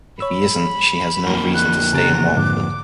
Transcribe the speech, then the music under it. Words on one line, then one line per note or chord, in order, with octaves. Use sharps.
If he isn't, she has no reason to stay in Walford.
C#5 B5 E6
F2 A#3
F#6
C#3 G4 A#5 A6
G#2 D3 D6